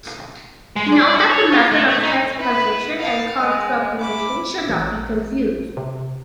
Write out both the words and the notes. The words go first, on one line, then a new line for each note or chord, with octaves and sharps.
Note that the method of transposition and contraposition should not be confused.
G#3
D5
F#4
C#5
F4
A3
A3
D#4
E4 B4
F5 A5
G#3
E4 D6
A1
C3